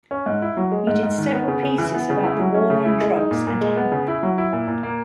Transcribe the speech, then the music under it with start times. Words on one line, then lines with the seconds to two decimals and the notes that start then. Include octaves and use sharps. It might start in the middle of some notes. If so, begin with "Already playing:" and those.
He did several pieces about the war on drugs and hemp.
0.11 C#4
0.26 G#2
0.42 E4
0.57 F#3
0.71 G#3
0.87 G#2
1.03 G#2
1.18 D#3
1.34 B3
1.48 C#3
1.63 C#3
1.78 E3
1.94 B3
2.10 C#3
2.24 E4
2.39 F#3
2.54 C#4
2.70 C#3
2.85 E4
3.01 G#3
3.16 D#4
3.31 A#2
3.47 A#2
3.61 G#3
3.76 B3
3.92 C#3
4.08 E4
4.23 F#3
4.38 E4
4.53 A#2
4.68 A#2
4.83 A#3